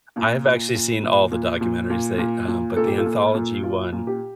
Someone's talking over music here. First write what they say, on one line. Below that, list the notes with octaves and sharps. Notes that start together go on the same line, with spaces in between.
I have actually seen all the documentaries, they um but the anthology one,
A#2 F4
A#2
A#2
A#2
A#2
A#2
A#2
A#2
A#2
A#2 A4
G4
F4 A4
A#2
A#2
A#2 F4
A#2
G4